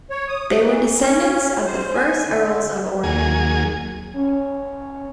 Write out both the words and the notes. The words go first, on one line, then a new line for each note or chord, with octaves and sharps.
They were descendants of the first Earls of Ormond.
C#5
D#6
E3
C#4
C5
G#5
D3
D#2 F#3 A#3 G#4 G#5
C#4